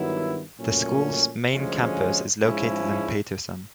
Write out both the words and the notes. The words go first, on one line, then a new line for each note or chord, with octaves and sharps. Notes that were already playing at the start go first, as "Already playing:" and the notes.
The school's main campus is located in Paterson.
Already playing: G2 D#3 F#3 B3 E4
A#2 F#3 A3 C#4
D2 C#3 F3 G#3 C#4
G#2 F3 G#3 C#4 E4